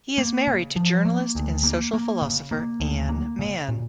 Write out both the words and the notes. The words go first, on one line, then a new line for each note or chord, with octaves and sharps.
He is married to journalist and social philosopher Anne Manne.
A#3
C#3
F3
A#3
D2
A#3
A#3
C#3
A#3
D2
A#3
C#3
A#2